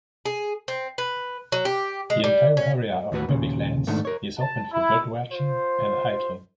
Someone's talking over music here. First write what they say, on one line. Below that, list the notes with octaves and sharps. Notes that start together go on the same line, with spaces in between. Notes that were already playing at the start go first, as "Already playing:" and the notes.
The entire area of public lands is open for birdwatching and hiking.
G#4
C4
B4
F#3
G4
G#3
G3
C#4
D#2 A2 F#4 B4
D#2 A#2 C#3
G#2 D#3 A3 D4
A#4 C#5
A5
E4
F4 C5